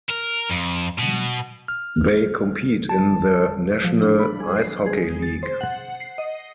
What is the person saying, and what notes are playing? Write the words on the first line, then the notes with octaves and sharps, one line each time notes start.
They compete in the National Ice Hockey League.
A#4
F2
B2
F6
A5
F3
D4
B5
G#4
C7
G#4
A6
C5
F#5
C7
D#5